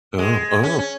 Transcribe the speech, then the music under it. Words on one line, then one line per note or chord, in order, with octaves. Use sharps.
Oh, oh.
G#3
C#4
C#4